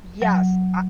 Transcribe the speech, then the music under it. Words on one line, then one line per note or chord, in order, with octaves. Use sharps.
Yes, I
F#3